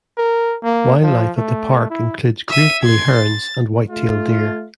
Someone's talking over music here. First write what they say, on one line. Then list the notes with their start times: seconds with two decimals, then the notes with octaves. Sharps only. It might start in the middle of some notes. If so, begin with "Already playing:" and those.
Wildlife at the park includes great blue herons and white-tailed deer.
0.17 A#4
0.63 A#3
1.03 F3
1.37 A3
1.90 E4
2.49 E5 D#7
2.83 C6 G#6
3.16 A6
3.89 A3 F4